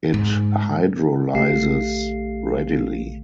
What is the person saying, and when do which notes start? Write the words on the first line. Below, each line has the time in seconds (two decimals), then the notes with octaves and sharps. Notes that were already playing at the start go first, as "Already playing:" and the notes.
It hydrolyzes readily.
0.14 G#2
1.34 A#1 D3 A3 G4 F5 C7